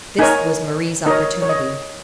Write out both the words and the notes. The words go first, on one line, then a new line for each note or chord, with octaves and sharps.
This was Marie's opportunity.
D#4 A#4 C#5 G#5
D#4 A#4 C#5 D#5
C#5
D#5